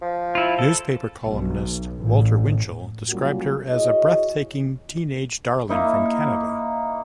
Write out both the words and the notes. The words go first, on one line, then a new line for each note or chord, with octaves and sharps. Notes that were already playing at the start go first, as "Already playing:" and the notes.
Newspaper columnist Walter Winchell described her as a breathtaking teen-age darling from Canada.
F3
E4 F4
A4
B1
A1
F#3 G3 A#3 C#4 F4 F#4
E4 F#4 G#4 C#5 D#5
A#3 D#4 E4